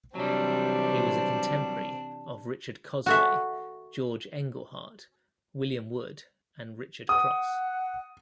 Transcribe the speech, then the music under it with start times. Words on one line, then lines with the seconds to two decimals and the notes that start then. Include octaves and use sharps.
He was a contemporary of Richard Cosway, George Engleheart, William Wood and Richard Crosse.
0.15 C3 E3 F#3 G3 C4 D4
3.06 F#4 A4 E5
7.09 F#5 D#6